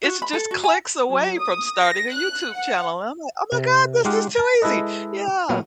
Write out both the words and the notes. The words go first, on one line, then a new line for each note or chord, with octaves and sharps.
it's just clicks away from starting a YouTube channel. And I'm like, "Oh my God, this is too easy." Yeah.
F#4
B5
A4
F#4
G#5
F#3
D#6
A#6
F#6
F#5
C3
G#3 D#4 F4 G4 F5 F#5
A5
G#3 E4 A4 B4 D#5
A#2 F#3 B3